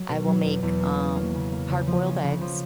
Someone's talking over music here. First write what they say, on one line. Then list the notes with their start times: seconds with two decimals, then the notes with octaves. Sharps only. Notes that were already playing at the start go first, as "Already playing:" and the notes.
I will make, um, hard boiled eggs.
Already playing: F#3
0.08 B2
0.27 F#3
0.45 E2
0.63 E2
0.80 A#3
0.99 C#4
1.16 A#3
1.34 C#3
1.52 A#3
1.69 C#3
1.87 F3
2.06 C#4
2.24 C#3
2.41 F3